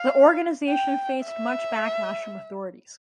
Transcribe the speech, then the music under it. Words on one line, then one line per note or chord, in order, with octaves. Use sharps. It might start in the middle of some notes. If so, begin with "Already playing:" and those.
The organization faced much backlash from authorities.
Already playing: F5
G5
E5